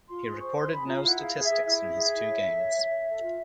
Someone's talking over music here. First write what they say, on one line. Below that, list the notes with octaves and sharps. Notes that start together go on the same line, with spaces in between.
He recorded no statistics in his two games.
F4 C6
G#4
C5 C#6
G#4 C6
G#4 B5
F4 A#5
E4 F#5
G#4
F5
G#4
G#4 E5
E4 E5
G#4
G#4
E4
C#5
A4
C#5
C#5
C#5
A4
F4